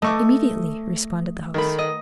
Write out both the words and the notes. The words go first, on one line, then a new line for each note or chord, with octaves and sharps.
"Immediately," responded the host.
A3 D#5 C#6 D6
D#3 A3 B5
D#5